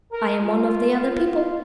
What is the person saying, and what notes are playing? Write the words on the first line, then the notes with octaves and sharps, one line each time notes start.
I am one of the other people.
A#4
F4